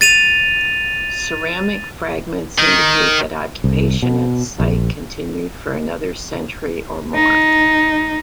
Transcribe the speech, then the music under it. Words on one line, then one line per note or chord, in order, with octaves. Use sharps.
Ceramic fragments indicate that occupation at the site continued for another century or more.
A6 D#7 F7
D#3
C2
B2
A#1
D#4